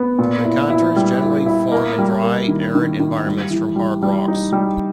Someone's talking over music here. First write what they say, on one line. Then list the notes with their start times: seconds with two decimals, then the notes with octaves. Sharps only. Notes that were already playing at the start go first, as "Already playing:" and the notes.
Dreikanters generally form in dry, arid environments from hard rocks.
Already playing: B3
0.19 A#2
0.45 E4
0.70 E4
0.96 G3
1.21 E4
1.46 E4
1.72 A#3
1.98 G3
2.23 A#3
2.48 D#3
2.75 D#3
2.99 D#3
3.26 G3
3.50 E3
3.76 G3
4.03 G3
4.28 D#4
4.52 G3